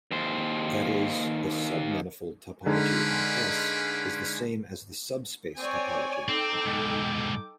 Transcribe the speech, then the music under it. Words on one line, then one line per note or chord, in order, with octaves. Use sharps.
That is, the submanifold topology on "S" is the same as the subspace topology.
D#2 C5
D3 G#3 A#3 C#4 D#4 B4
C4 C#5 D5 G#5
C4 D#4 A4 G5 D6
G#2 B2